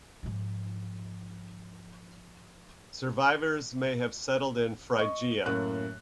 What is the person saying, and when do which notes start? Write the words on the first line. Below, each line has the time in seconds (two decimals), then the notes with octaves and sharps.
Survivors may have settled in Phrygia.
0.23 G#2 F3
4.98 D#5 C#6
5.45 F#2 A2 A#3 F#6